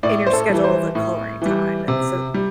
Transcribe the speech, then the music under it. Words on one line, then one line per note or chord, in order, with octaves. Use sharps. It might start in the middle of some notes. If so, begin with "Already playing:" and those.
in your schedule the coloring time, and so,
A2 D5
C5
A4
E3 G3
C5
A2
E3 G3
C3
G3